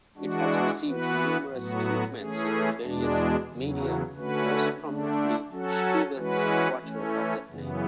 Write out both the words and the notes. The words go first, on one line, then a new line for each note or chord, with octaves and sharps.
It has received numerous treatments in various media-most prominently Schubert's quartet of that name.
E3 G#3 D4 F#4
E3 B3 F#4 B4
A2 F#3 B3 F#4
E3 A3 C#4 G#4
E2 B2 G#3 D4
E2 C#3 F#3
D3 A3 C#4 F#4 B4
D3 A3 D4
F#3 C#4 F#4 A4
E3 G#3 C#4 F#4 B4
E3 A3 C#4
F#2 C#3 E3 B3